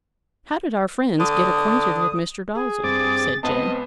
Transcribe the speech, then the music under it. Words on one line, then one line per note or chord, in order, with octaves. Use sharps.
"How did our friends get acquainted with Mr. Dalzell?" said Jane.
D3 D#6
G#4
G2 C4 D6 A6
C#2 B3 C4 D#5 A5